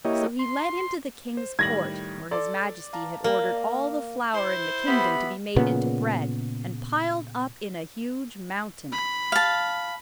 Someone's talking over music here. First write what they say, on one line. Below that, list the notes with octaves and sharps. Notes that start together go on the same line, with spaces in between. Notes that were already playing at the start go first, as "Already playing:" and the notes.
So he led him to the king's court, where his majesty had ordered all the flour in the kingdom to be made into bread, and piled up in a huge mountain.
A#3 E4 G4 C#5 D#5
C6
C5
A2 D#3 G3 G#6 A#6 F#7
A4 D5 C6
F5 A5 A#5
A#3
E4 C5
B3 G4 E5 B5
A#2 C#3 B3
B5
F5 A5